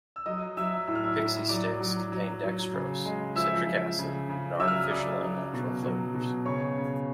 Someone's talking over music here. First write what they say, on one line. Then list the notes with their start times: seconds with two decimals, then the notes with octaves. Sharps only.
Pixy Stix contain dextrose, citric acid, and artificial and natural flavors.
0.16 E6
0.26 F#3 D#5 D#6
0.57 F#3 E5 E6
0.87 A2 E6
0.95 F6
1.03 E5 E6
1.19 A2
1.49 F#3 D5 D6
1.80 F#3
2.12 F#3
2.43 F#3
2.74 C#3
3.05 G#3
3.36 F3 E5 E6
3.67 F3
3.98 C#3
4.29 C#3
4.60 F#3 E5 E6
4.68 F6
4.76 E6
4.84 D#6
4.90 C#3 D5 D6
5.22 F#3
5.53 B2
5.83 F#3
6.14 B2
6.45 C#3 C#5 C#6
6.77 C#3